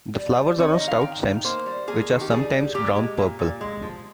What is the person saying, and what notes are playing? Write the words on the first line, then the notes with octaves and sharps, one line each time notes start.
The flowers are on stout stems, which are sometimes brown-purple.
G3
G3
C4 C#5
D#5
D#3
F5
D#3 G5
D#4
A#3 C5
G3
A#3 G#4
D#3
G4
G3 G#4
G3
A#2 G4
G#3
A#2
A#2
G#3
F3